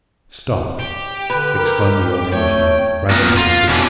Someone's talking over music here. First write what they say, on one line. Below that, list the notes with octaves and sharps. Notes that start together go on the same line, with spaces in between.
"Stop," exclaimed the old Englishman, rising to his feet.
G4
D3 B4
A#4
A3 C#5 G5
A#2 B3 A#4
F4
B2 E3 C#4 D4